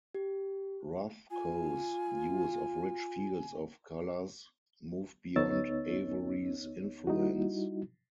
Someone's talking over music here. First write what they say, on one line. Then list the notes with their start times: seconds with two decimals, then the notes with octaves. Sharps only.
Rothko's use of rich fields of colors moved beyond Avery's influence.
0.14 G4
1.31 F4 G#5
5.36 D2 B3 D#4 C#5 E6 A6
7.07 G3 D#4 E4 F#4